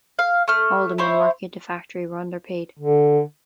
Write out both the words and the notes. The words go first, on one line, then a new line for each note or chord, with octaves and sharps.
All the men working at the factory were underpaid.
F5
A3 F6
E4 C5 C#5
D3